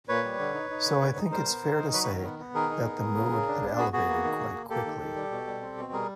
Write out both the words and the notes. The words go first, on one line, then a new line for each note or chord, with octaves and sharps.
So I think it's fair to say that the mood had elevated quite quickly.
A#2 B4 C#5
G3
D3
D#4
D#4
D3
D3
D#4
G3 A#4 C5
B3
D#3
D#4
F#3 B4 C#5
B4 C#5
D#3
B3
B3
D#3 G#4 A#4
D#4
B3
B3
C#3
C#3
D4
B3
B3 F#4 G#4
B3 F#4 G#4
A#3
D#3
A#3
A#3
A#3 G4 A4
D#3
D#3
G3
B2
G3
C4
B2
G3 G#4 A#4